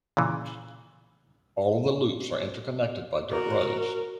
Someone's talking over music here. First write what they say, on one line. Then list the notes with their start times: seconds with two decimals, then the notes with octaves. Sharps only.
All of the loops are interconnected by dirt roads.
0.17 A#2 C#3 E3
3.31 F#4 A#4